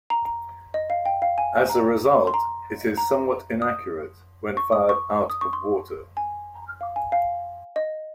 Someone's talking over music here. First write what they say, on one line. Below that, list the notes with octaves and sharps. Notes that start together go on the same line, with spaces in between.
As a result, it is somewhat inaccurate when fired out of water.
A#5
A#5
D#5
F5
G5
F5
G#5
A#5
C6
A#5
A#5
D#6
C#6
D#6
C#6
D#6
C#6
C6
G#5
F5
G#5
F5
D#5